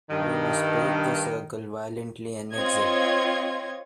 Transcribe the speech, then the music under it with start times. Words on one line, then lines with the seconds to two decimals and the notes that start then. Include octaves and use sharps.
We must break the circle violently and exit.
0.10 G2 D#3
2.54 C4 F4 C#5 D#5 G#6